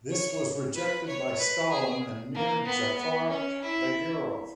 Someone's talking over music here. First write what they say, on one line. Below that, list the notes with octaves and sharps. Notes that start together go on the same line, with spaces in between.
This was rejected by Stalin and Mir Jafar Bagirov.
C#5
B4
C#5
B4
G#4
A#3
B3
B3
C#4
E4